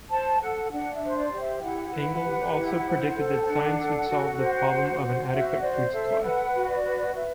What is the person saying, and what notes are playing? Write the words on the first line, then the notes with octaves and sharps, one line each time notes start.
Engels also predicted that science would solve the problem of an adequate food supply.
C5 A5
A4 F#5
D4 F#5
E5
C5
D5
G4
E5
E4 F#5
B4
G4
E4
C5
A4
G5
D4 F#5
A4
F#4
C5
F#4
C5
F#4 E5
C5 D5
A4 E5
B4 F#5
F#4
D5
B4
B4 E5